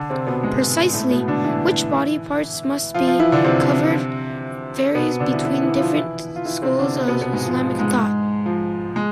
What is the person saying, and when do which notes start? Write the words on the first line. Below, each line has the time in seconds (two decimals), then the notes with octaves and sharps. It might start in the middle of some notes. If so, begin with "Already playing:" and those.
Precisely which body parts must be covered varies between different schools of Islamic thought.
Already playing: D3 D4
0.10 C3 C4
0.27 B2 B3
0.43 G#2 G#3
0.94 A2 A3
1.11 B2 B3
1.28 D3 D4
1.44 E3 E4
2.94 F3 F4
3.07 F3 F4
3.19 E3 E4
3.32 D3 D4
3.44 C3 C4
4.95 B2 B3
5.20 D3 D4
5.33 E3 E4
5.45 E3 E4
5.62 E3 E4
5.75 E4
5.78 F3 F4
5.95 E3 E4
6.36 F4
6.45 E3 E4
6.62 C3 C4
6.79 D3 D4
6.96 C3 C4
7.08 B2 B3
7.21 B2 B3
7.33 G#2 G#3
7.46 F3
7.63 F3
7.79 G#2 G#3
8.46 F3
8.96 G#3